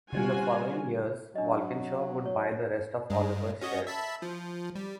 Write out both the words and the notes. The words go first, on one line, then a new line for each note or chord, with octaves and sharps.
In the following years Walkinshaw would buy the rest of Oliver's shares.
C#3 G3 F4 F#4 G#5
F#3 D4 D#5
C#5
G2 G#3
C#4 F#4 D#5
E5 A5 B5
F3
G3